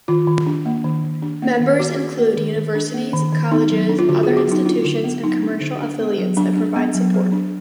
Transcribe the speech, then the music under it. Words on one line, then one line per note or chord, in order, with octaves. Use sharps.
Members include universities, colleges, other institutions and commercial affiliates that provide support.
D#3 F4
D#3
D4
A#3
D#3
D#3
D4
A#3
D#3
D#3 F#4
D4
A#3
D#3
D#3
D4
A#3
D#3
D#3
B3 D#4
F#3
D4
F4
D3 F#4
B3 G#4
F#4
F#3 D#4
D4 F4
D3
B3
F#3 D#4
D4
D3
D4
B3
F#3
F#3 D4
D4
B3
F#3
F#3
D4